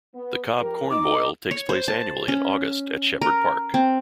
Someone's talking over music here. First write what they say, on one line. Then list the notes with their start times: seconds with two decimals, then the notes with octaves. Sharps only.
The Cobb Corn Boil takes place annually in August at Shepherd Park.
0.14 B3
0.59 F2 G4 A#4
0.90 D#4 D6
1.51 C#5
1.69 C5
1.88 A5
2.28 C#4
3.21 A#4
3.74 C4